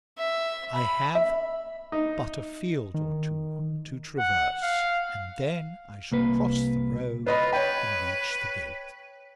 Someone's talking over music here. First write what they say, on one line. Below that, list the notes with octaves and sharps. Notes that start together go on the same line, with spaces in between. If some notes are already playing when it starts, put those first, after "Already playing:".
I have but a field or two to traverse, and then I shall cross the road and reach the gates.
E5
B5
E5
D#4
D#3
F#5
F5
C2 A#3 B4
F4 B4 D#5 B5
B4 C#5 G5